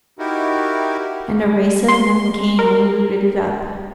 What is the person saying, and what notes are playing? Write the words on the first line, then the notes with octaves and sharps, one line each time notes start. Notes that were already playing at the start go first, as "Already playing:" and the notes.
And a race of men came and rooted it up.
D#4 E4 F#4 G4 A#4
C6
A#4